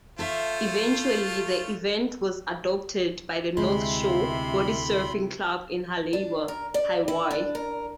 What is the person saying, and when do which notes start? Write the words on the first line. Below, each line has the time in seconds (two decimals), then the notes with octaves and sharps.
Eventually, the event was adopted by the North Shore Bodysurfing Club in Haleiwa, Hawaii.
0.19 A3 F4 A4 C5 E5
3.57 D2 C3 G#3 E4 B5 C6
6.13 D4
6.48 A#4
6.74 D5
7.08 E4
7.31 D4
7.55 A#4